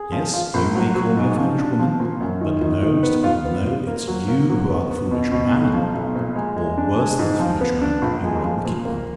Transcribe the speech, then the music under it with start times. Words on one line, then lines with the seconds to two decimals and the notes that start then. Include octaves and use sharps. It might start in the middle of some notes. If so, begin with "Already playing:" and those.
Yes, you may call me a foolish woman; but no, Mr. Caudle, no; it's you who are the foolish man; or worse than a foolish man; you're a wicked one.
Already playing: G#4
0.12 F3
0.34 F4
0.54 A#1
0.75 F#3
0.95 F#3
1.17 G#2
1.38 F3
1.58 D4
1.79 F3
2.00 A#2
2.21 F#2
2.41 D#3
2.61 D#3
2.83 D#3
3.03 B3
3.24 F4
3.45 B3
3.66 F4
3.87 A#3
4.07 F#3
4.28 A#3
4.49 F#3
4.70 B3
4.91 B3
5.11 B2
5.32 B2
5.54 B1
5.74 F3
5.94 B1
6.15 A#2
6.36 G#3
6.57 G#3
6.78 D4
6.99 G#3
7.19 G#2
7.40 F3
7.61 B3
7.81 D4
8.02 A#1
8.24 G#3
8.44 F3
8.65 A#2
8.85 A#3